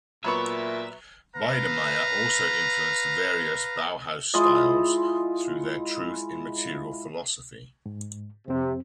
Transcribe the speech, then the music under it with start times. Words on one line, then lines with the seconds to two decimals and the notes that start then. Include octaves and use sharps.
Biedermeier also influenced the various Bauhaus styles through their truth in material philosophy.
0.24 A#2 F#3 B3 D5 E5 B5 C#6
1.35 B4 F5 A#5
4.34 G#3 E4 F4 D#5
7.86 G#2
8.48 F2 C3 C4